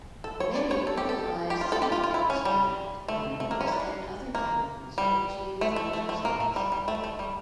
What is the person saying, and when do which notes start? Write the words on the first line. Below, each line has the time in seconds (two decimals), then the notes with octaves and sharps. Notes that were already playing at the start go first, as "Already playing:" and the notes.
Many utilize seed extract, minerals, and other chemicals to achieve these results.
0.24 A4
0.40 C#5
0.55 D5
0.71 C#5
0.87 A4
0.97 G4
1.09 A4
1.50 G4
1.61 F4
1.72 A4
1.82 G4
1.92 F4
2.04 F4
2.14 E4
2.30 C#4
2.45 G3
3.08 A3
3.40 A3
3.51 A#3
3.61 C#4
3.67 E4
3.72 D4
4.35 A#3
4.98 G3
5.61 A3
5.76 A3
5.93 A3
6.09 A3
6.25 A#3
6.40 A3
6.56 G3
6.72 G3
6.88 A3
7.04 A3
7.19 G3